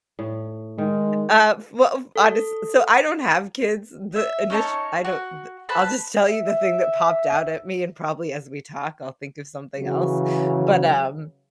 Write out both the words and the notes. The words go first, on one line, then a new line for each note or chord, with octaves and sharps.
uh, f well, uh, honest s so I don't have kids. The init I don't the I'll just tell you the thing that popped out at me, and probably as we talk, I'll think of something else, but, um
A2
D#3 G#3
A4
E5
C#4 D#4 C#5 A5
F#4
B4 C5 A5 B5
E5
C#3 E3 F#3